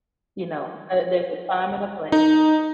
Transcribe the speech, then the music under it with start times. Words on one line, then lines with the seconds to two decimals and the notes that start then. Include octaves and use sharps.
You know, uh, there's a time and a place.
2.12 D#4